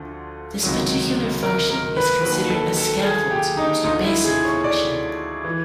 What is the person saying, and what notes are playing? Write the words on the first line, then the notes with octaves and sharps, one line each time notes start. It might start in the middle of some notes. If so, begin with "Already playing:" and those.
This particular function is considered a scaffold's most basic function.
Already playing: D2 D3 F3
C#2 C3 D#3 F#3
A#4
A#4
B4
D#2 D#3 F#3 B4
A4
A4
G#4
G4
D#4
D2 D3 F3 D#4
E4
G#4
C#5
D5
E3